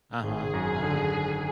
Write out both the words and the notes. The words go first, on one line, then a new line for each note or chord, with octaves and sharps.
Uh-huh, ah.
G#1 G#4
F#2
D3
G#1